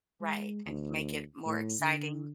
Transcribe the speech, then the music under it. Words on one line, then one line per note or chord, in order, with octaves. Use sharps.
Right, and make it more exciting.
G#3
D2
A2
D3